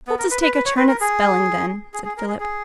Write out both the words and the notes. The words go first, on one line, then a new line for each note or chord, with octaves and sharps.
'Let us take a turn at spelling, then,' said Philip.
B3
A#4
B4
B4
B4
C#5
B4
A#4
G#4
G#4
G#4
A#4
G#4
G#4